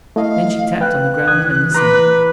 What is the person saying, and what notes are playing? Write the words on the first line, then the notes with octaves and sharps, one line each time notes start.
Then she tapped on the ground and listened.
A3 E4 D#5 F5
B4 F5 G5 F#6
C#2 E3 D#6 G#6
E3 B4 A#5 C6 D6